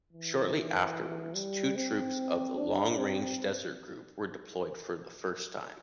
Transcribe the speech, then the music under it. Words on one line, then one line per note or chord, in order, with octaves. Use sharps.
Shortly afterwards, two troops of the "Long Range Desert Group" were deployed for the first time.
E3
G3
C4
D4
C4